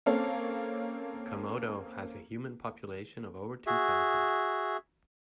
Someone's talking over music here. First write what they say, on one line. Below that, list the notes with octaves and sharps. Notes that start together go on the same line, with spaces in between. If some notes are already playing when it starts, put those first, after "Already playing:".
Komodo has a human population of over two thousand.
A#3 C4 C#4 A4 C#5 F5
F#4 G#4 E5